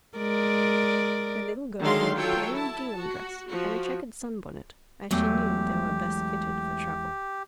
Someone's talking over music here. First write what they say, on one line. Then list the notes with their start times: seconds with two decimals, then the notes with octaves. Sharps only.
The little girl wore a plain gingham dress and a checked sunbonnet, as she knew they were best fitted for travel.
0.18 G#3 A#4 D5
1.81 D3 D#3 F#3 G#3 F5 C6
2.14 F#3 F4 A4 C#5 G5
2.53 E4 A5
2.95 F#4
3.47 F3 F#4
5.11 E2 F#3 G#3 A3 G4 G5